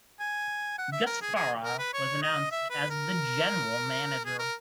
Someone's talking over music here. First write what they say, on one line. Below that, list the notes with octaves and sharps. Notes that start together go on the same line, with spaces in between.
Gus Farah was announced as the General Manager.
G#5
F#5
E5
A#4
G#4
G#4
A#4
B4
C#5
D#5
E5
B4
A#4
G#4
A#4